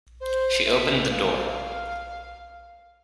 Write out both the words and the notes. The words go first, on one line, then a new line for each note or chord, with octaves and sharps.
She opened the door.
C5
E5
F5